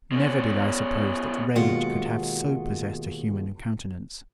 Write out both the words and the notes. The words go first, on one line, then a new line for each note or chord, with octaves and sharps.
Never did I suppose that rage could have so possessed a human countenance.
B2 C#4
D#2 B2 G#3 F4 F#5